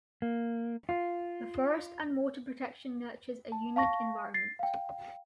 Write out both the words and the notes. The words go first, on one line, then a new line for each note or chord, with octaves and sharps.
The forest and water protection nurtures a unique environment.
A#3
F4
A5
F5 A5 C#6 A#6
A6 C7
F5 G5